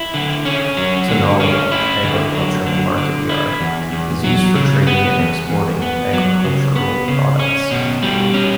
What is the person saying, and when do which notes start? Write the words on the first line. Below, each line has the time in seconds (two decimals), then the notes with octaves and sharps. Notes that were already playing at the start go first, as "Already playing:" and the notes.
"Tenali Agriculture Marketyard" is used for trading and exporting agricultural products.
Already playing: E4
0.14 D3
0.45 C#4
0.77 F#3
1.08 D3
1.40 C#4
1.72 E4
2.03 D3
2.35 F#3
2.67 D3
2.98 D3
3.29 E4
3.61 E2
3.92 E2
4.24 F#3
4.55 C#3
4.87 B3
5.19 E2
5.50 E2
5.82 B3
6.13 F#3
6.45 C#3
6.76 B3
7.08 C#3
7.39 C#4
7.71 B2
8.03 G3
8.34 C#4